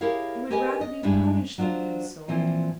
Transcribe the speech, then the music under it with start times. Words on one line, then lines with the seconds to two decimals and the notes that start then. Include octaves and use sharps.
He would rather be punished than consoled.
0.01 E4 G4 G#4 A#4 C#5 F5
0.50 G4 G#4 A#4 B4 D#5 G#5
0.81 D#5
1.03 G2 G3 G#3 D4 E4
1.58 F#3 D4 F4 C5
2.28 A#2 E3 F3 C4